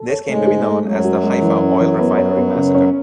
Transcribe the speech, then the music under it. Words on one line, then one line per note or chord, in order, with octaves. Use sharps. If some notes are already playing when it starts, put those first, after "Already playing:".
This came to be known as the "Haifa Oil Refinery massacre".
Already playing: A4
C#5
G#2 G#3 A3
G#4
A3
F#2 F#3 G#3
F#4
G#3
E3
C#4
E3
B3
C#5
B3
C#3
C#4